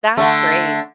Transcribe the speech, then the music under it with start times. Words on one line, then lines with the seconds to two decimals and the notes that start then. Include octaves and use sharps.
That's great,
0.17 D3 A3